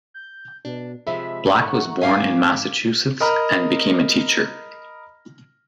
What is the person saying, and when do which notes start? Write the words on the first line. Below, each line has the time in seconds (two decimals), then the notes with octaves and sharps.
Black was born in Massachusetts, and became a teacher.
0.14 G6
0.65 B2 D4
1.07 C3 F3 G#3 E5 B5
1.56 G#2 A3 F#5 A#5 C#6
2.01 G#2 G4 F5 G#5 D6 G#6 B6
3.20 A#4 D#5 A#5 B5 F6